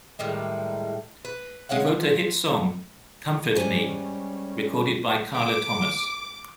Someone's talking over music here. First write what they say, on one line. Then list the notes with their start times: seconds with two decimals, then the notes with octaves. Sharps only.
He wrote a hit song, "Comfort Me", recorded by Carla Thomas.
0.19 A2 D#3 G3 G#3
1.25 B4
1.69 G#3 C#5 F5 F#5
1.88 F3
3.55 G#2 G3 C#4 G#5
5.34 D6